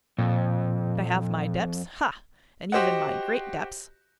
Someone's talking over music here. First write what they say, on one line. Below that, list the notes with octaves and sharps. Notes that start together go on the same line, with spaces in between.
But I have my depths; ha, and even my great depths!
F2 A#2
F#4 G4 C5 D#5 F#5